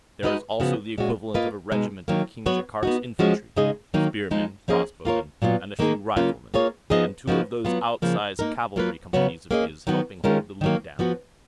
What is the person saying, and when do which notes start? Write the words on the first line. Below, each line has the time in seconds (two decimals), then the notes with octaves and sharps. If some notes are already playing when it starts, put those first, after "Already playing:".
There is also the equivalent of a regiment of King Jaikark's infantry--spearmen, crossbowmen, and a few riflemen--and two of those outsize cavalry companies of his, helping hold the lid down.
0.23 G#3 D#4 F#4 B4 D#5
0.60 C#3 F3 B3 F#4
0.98 A#2 G#3 C#4 F#4
1.34 A#3 F4 B4 D#5
1.72 B2 G#3 D#4
2.08 D#3 F#3 A#3
2.46 F#3 B3 F#4 C#5
2.83 B3 D#4 F#4
3.19 F3 G#3 C#4 F#4
3.56 C#3 G#3 D#4 G#4 D#5
3.94 D#3 F#3 A#3 D#4
4.31 F3 G#3 D#4 G#4
4.68 F3 A#3 C#4 G#4 D#5
5.05 A#3 F4 A#4 C#5
5.42 A#2 F#3 B3 F4
5.79 D#3 A#3 D#4 G#4
6.17 C#3 F#3 A#3 C#4 F4
6.54 A#3 F4 G#4 C#5
6.90 F3 B3 D#4 G#4 D#5
7.28 F3 A#3 D#4 F#4 B4
7.65 F#3 B3 F4
8.02 C#3 F3 A#3
8.39 A#3 D#4 A#4
8.76 F#3 A#3 F4 B4
9.13 C#3 F#3 B3 F#4 C#5
9.51 A#3 C#4 G#4 D#5
9.87 D#3 F#3 B3 F#4
10.24 D#3 G#3 C#4 F4 A#4
10.61 D#3 F#3 A#3
10.99 F3 B3 F#4